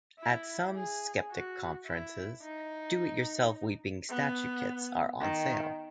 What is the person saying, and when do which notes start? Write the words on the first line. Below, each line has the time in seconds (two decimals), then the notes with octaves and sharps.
At some skeptic conferences, "do it yourself weeping statue kits" are on sale.
0.20 E4
0.75 G#4
1.31 F#4
1.86 E4
2.43 D#4
4.09 B3
5.20 D#3